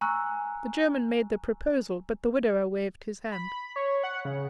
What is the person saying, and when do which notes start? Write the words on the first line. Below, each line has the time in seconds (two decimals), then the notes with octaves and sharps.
The German made the proposal, but the widower waved his hand.
0.01 G#5 A#5 C#6 E6 F#6
3.32 B5
3.76 C#5
4.04 F#5
4.25 C#3